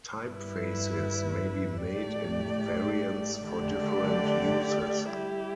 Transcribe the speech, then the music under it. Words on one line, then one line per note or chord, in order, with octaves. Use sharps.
Typefaces may be made in variants for different uses.
G2 G3 E4 B4
A2 A3 G4 D5
D3 A3 G4 D5
G3 E4 G4